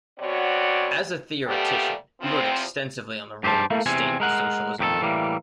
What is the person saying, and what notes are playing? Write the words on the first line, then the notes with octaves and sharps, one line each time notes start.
As a theoretician, he wrote extensively on the role of the state in socialism.
F#2 B2 C4 F#4 C#5 D5
A#2 F3 G3 A3 B3 G4
E2 C3 F3 C4
G2 G4 G#4 C5 A5
A3 A#3 E4
E2 C3 C4 G#5
G#3 A#4 F#5
F2 D#3 G4 A4
A2 E3 G3 A#3